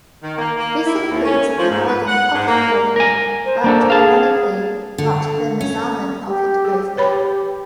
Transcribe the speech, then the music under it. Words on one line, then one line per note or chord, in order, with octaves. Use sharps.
This includes the Northern pocket gopher, but ironically, not the Mazama pocket gopher.
D#3
A#3
A#3
E4
D#2
C#4
F3
G#2
B4
F#5
G#2
A#3
A#4 G#5
C5
A#3 D4 A4
G#4 F5 A5
D3
C#4
G4
G#4
G4 B4 C#5 B5